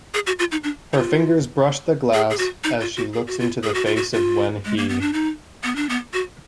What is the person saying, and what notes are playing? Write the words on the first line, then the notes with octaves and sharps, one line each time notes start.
Her fingers brush the glass as she looks into the face of Wen He.
G#4
F#4
F4
D#4
D4
D#4
F4
G#4
G#4
F#4
D#4
F4
F#4
G#4
F#4
F4
G#4
F#4
F4
F#4
F4
G#3
A#3
B3
D4
D#4
B3
D4
B3
F#4